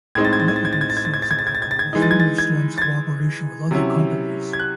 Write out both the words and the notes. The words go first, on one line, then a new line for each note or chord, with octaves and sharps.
Another great source of revenue was LunarStorm's cooperation with other companies.
A2 G#3 C4 D#4 G#6
A6
G#6
A6
G#6
A6
G#6
A6
G#6
A6
G#6
A6
G#6
A6
G#6
A6
G#6
A6
G#6
A6
G#6
E3 G#3 D#4
A6
G#6
A6
G#6
A6
G#6
C3 F#3 C#4 E4
G#6
F#6